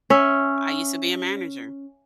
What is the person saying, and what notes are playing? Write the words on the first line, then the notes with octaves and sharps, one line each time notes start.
I used to be a manager,
C#4 E5